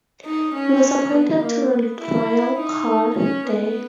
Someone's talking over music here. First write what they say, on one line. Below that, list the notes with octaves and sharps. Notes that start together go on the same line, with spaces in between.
He was appointed to the royal court there.
D#4
C#4
B3
A#3
B3
E4
D#4
C#4
B3